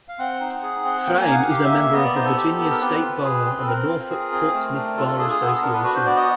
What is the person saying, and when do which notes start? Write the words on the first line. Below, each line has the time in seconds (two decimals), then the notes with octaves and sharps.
Fraim is a member of the Virginia State Bar and the Norfolk-Portsmouth Bar Association.
0.08 F5
0.19 C4 F#5
0.41 D#4
0.62 G#4
0.84 C4
1.06 A#3 G5
1.21 G#5
1.28 D#4 F5
1.35 F#5
1.50 G4 F5
1.64 E5
1.72 A#3
1.79 E5
1.93 B3 D#5
2.04 D5
2.15 D#4 C5
2.25 A4
2.36 G4
2.58 B3
2.70 A#4
2.79 C4 B4
3.02 F4
3.24 G#4
3.45 C4
3.61 A4
3.67 C4 A#4
3.89 F4
4.10 G#4
4.32 C4
4.54 A3
4.76 D4
4.97 F4 A4
5.08 A4
5.18 G#4 A4
5.30 G#4
5.41 B3 A4
5.47 G#4
5.52 A4
5.62 D4 A#4
5.73 B4
5.84 F#4 B4
5.95 C5
6.06 B3 D5
6.17 D#5